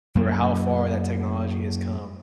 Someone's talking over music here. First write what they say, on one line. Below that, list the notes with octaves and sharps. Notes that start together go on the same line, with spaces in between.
for how far that technology has come,
F#2 A#3